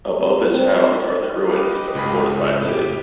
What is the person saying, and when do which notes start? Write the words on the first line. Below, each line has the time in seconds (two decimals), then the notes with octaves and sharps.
Above the town are the ruins of a fortified city.
0.18 C3
0.50 C4
1.47 G4 B4 D#5 F5
1.95 C#2 G2 G#4 B5
2.55 F2 A2
2.69 G4